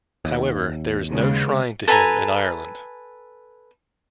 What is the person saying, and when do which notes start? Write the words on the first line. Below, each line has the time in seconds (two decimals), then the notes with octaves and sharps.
However, there is no shrine to him in Ireland.
0.25 D#2
1.10 C#3 G#3 B3
1.88 A4 B4 G#5 A#5